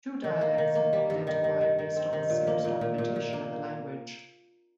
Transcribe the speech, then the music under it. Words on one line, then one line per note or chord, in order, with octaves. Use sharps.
Two dialects have been identified based on scarce documentation of the language.
D#3
A#3
D#3
A#3
G3
G2
D#3
D#3
D#3
D#3
C4
D#3
A#2
A#3
A#2
A#2
A#2
A#2
A#3